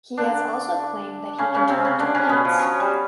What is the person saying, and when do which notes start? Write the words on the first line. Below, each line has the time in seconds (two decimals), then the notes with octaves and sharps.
He has also claimed that he can talk to plants.
0.17 D3 D4
1.38 C#3 C#4
1.54 C#3 C#4
1.69 C3 C4
1.84 C#3 C#4
1.99 D3 D4
2.15 C#3 C#4
2.29 B2 B3
2.45 F3
2.59 F#3
2.80 G3